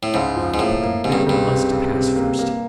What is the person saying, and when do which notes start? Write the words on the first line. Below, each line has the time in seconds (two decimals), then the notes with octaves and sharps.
Ah! but the Bill must pass first....
0.03 A2
0.14 C#2 G#2
0.37 F3
0.54 G#2
0.59 A2 A#3
0.82 A#3
1.04 G#2 C3
1.12 G2
1.27 C#2 G2
1.49 C3
1.72 C#2
1.94 C3
2.16 A#3
2.39 A#3